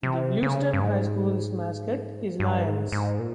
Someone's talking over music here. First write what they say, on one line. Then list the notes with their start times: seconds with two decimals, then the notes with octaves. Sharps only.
The Bluestem High School mascot is Lions.
0.03 C3
0.43 C#3
0.73 G2
0.82 G#2
2.40 G2
2.66 G#2
2.92 G#2
3.19 A#2